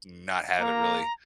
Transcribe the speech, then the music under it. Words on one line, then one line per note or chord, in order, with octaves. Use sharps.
not have it really
A#3 A#5